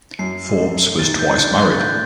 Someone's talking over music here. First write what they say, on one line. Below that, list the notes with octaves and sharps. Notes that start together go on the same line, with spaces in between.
Forbes was twice married.
F#2 C7
A3
D#3 A6
G6
D4 F#6
F#6
A6
A2 G6